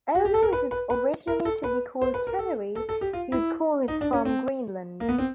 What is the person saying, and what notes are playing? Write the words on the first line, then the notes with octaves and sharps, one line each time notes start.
Although it was originally to be called Canary, he would call his farm "Greenland".
F#4
G4
A4
A#4
B4
B4
B4
A#4
A4
B4
C5
B4
A#4
A4
A4
A4
G4
F4
E4
D#4
D4
C#4
C4
A#3
B3
C4